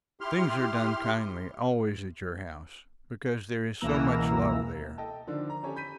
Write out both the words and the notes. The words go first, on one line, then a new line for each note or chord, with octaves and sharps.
Things are done kindly always at your house, because there is so much love there.
E4 G4 C6 F6
C#2 B2 E3 A#3 A#5 E6
A4 D#5 G5 A5
D3 D#3 F3 D4
A#5
C#4 G4 A4 C#5
B5 G6 B6 D#7